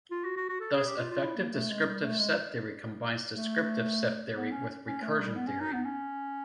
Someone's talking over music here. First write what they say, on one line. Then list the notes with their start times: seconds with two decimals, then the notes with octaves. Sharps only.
Thus effective descriptive set theory combines descriptive set theory with recursion theory.
0.11 F4
0.24 F#4
0.37 F#4
0.49 F#4
0.60 A4
0.73 G#4
0.86 G4
0.98 F4
1.11 F4
1.23 E4
1.36 A#3
1.52 A3
1.70 G#3
1.86 G3
2.02 A3
2.19 G#3
3.36 A3
4.36 B3
4.52 C#4
4.86 C#4
5.02 A3
5.19 G3
5.36 B3
5.48 C#4
5.60 D#4
5.73 B3
5.85 C#4